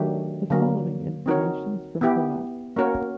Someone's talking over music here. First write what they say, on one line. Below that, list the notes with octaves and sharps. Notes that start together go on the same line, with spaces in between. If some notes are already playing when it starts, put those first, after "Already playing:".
The following information is from Howat.
Already playing: D#3 F#3 A3 D4 G4
D3 F#3 A#3
C4 D#4 F#4 A#4 C#5
B3 E4 G4
A#3 C#4 F#4 A#4 C#5